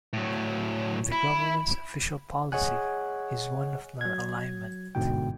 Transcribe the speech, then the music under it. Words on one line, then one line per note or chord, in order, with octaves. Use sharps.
The government's official policy is one of nonalignment.
A2 F#3
E4 B5
G#4 C#5 D#5 F#5 G#5 F#6
F#3 G#6
G1 G#2 B2 D3 G5